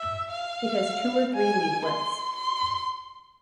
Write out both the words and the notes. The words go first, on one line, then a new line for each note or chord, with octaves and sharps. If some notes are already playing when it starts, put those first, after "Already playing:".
It has two or three leaflets.
Already playing: E5
F5
G#5
C6
C6